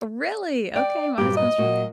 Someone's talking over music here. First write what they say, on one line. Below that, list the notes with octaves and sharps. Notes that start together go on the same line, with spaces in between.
Really? Okay, my husband's from there.
D5 G5
G2 A#2 F#3 G4
D#5
A#2 A#3 F#4